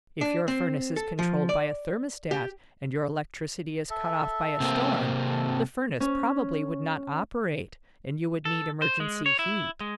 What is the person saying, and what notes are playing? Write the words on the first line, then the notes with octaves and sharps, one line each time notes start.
If your furnace is controlled by a thermostat and your electricity is cut off by a storm, the furnace probably would not operate and you would need emergency heat.
D4
C4
A4
F3
D5
G4
A4 E5
C3 A#3 C4
A4
C#4
A4
C5
G#3
C#5
E4
G#3